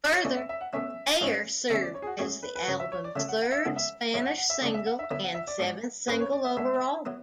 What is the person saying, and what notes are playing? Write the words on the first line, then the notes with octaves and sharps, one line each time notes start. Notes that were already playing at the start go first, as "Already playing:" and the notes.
Further, "Ayer" served as the album's third Spanish single and seventh single overall.
C#5
B2 A3 C#4 E4 D5
E5
E5
F#5
B2 A3 C#4 E4 E5
G#2 F#3 C#4 E4
E2 D3 A3 C#4 E4 E5
D5
C#5
G#4
F#4
A2 G#3 C#4 E4 G#4
B4
B4
F#2 C#3 F#3 C#5
E5
C#5
D5
C#3 F#3 A3 E5
F#5
F#5
E5
C#3 G#3 B3 E4 F#5
E5
A2 F#3 A3 E4 E5
F#5
F#5
E5
E2 C#3 G#3 D4 D5
E5
F#5
E5
D3 F#3 B3 E4 E5
F#5
E5
D5
G#2 G#3 D4
G#2 G#3 C#4 B4
C#5
D5
E5
B2 G#3 D4 E5
F#3 B3 E4